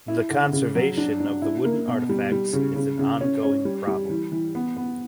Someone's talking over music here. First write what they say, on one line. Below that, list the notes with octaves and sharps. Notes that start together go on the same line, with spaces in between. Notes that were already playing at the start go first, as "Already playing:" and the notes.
The conservation of the wooden artifacts is an ongoing problem.
E4
D3
C#3
F#3
D4
D4
E4
A#3
B2
G3
G3
C#3
C#3
C#3
C#4
C#4
G3
G3
E3
E3
B3
B3